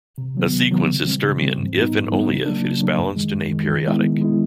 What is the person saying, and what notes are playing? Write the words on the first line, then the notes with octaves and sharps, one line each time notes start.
A sequence is Sturmian if and only if it is balanced and aperiodic.
C3
D#3 F#3 B3
C3
D#3 F#3 B3
C#3
E3 G3 C4
C#3
E3 G3 C4
G#2
E3 G3 B3 D#4
G#2
E3 G3 B3 D#4
C#3
F#3 A#3 D4
C#3
F#3 A#3 D4
F#2
D#3 G#3
F#2
D#3 G#3
D#3
G#3 B3 E4
D#3
G#3 B3 E4